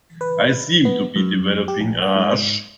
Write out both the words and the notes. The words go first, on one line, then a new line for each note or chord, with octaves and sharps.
I seem to be developing a rash.
B4
B3
F#2
G4
A#1
F#5
G#2